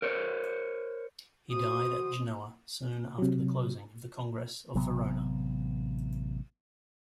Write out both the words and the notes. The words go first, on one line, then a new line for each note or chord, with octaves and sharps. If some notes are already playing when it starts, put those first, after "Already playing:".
He died at Genoa soon after the closing of the Congress of Verona.
A#4 C5 C#5
F#4 C5 D#6
C3 F#3
A1 C3 F#3 B3